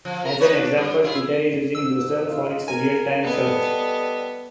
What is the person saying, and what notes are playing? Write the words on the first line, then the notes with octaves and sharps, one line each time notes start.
As an example, Twitter is using Lucene for its real time search.
F3
A#4
D#4 B4 C#5
D4
G3
E4 F4 G#4
G#2 E6
F4
A#4 G#5
G3 B3 A4 D#5